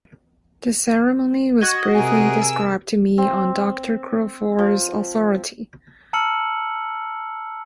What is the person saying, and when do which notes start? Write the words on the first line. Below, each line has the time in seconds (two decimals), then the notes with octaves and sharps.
The ceremony was briefly described to me on Dr. Crawford's authority.
1.61 F#4 D#5 G#6
1.94 C3 G#4 A#4 G#5
2.42 E6
3.18 C4
4.59 F3
6.13 A5 A#5 E6 F6 C#7 F#7